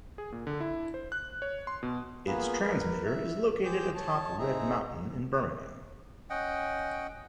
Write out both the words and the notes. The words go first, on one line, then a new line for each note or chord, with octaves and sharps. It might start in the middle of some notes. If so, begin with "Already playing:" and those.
Its transmitter is located atop Red Mountain in Birmingham.
G#4
A#2
D3
E4
C5
F#6
C#5
C6
B2
A#3 B3 F4 G#4 B4
A#4 B4
E5
G#4 C5 G5 D6 G6
C#5 A5
C4 D#4 G#4 E5 A#5
C#4 D#5 F#5 G5